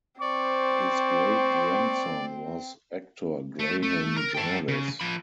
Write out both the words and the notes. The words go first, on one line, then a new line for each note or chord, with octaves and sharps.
His great-grandson was actor Graham Jarvis.
C4 C5 D5 C#6
A3
A3
A#4
A4 G5
C#3
F3 B5